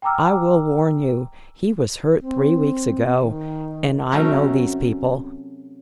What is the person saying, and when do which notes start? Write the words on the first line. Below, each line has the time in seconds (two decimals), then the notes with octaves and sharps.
I will warn you--he was hurt three weeks ago, and I know these people.
0.02 G5 G#5 A#5 D6 E6 F6
2.21 C4
3.22 D#3
4.12 C3 F#3 A3 C#4 D#4 A#4